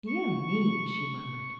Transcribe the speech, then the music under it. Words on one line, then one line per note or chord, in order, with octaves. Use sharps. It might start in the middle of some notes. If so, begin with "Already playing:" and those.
"Dear me!" she murmured.
C#6